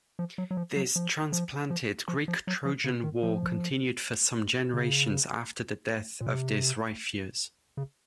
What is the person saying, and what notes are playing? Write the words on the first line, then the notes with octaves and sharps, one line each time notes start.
This 'transplanted' Greek-Trojan war continued for some generations after the death of this Ripheus.
F3
F#3
F#3
F3
F#3
F3
F3
F3
F3
F3
F#3
F3
C#3
D#3
F3
C#3
A#2
C3
C#3